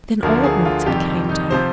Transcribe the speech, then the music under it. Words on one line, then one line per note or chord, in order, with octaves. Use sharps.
Then all at once it came to her.
D2 D3 F3 A#4
G#4
F4
F2 C3 D#3 G3 G4
D#4
C3 F3 C5